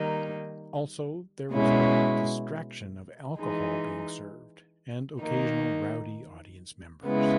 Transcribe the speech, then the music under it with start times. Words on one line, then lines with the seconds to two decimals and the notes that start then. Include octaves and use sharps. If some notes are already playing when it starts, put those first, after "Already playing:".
Also, there was the distraction of alcohol being served and occasional rowdy audience members.
Already playing: D#3 G3 A#3 D#4
1.52 B2 G#3 C#4 E4
3.37 E3 G#3 D#4
5.21 D#3 A#3 D#4
7.06 C#3 G#3 B3 E4